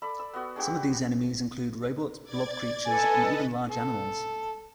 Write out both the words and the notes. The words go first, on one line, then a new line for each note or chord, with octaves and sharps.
Some of these enemies include robots, blob creatures, and even large animals.
A4 D5 B5
E6
B3 F#4
G#3 D4 F#4 G4
D5 G#6 A6
A4 B4 D#5 G#5
A4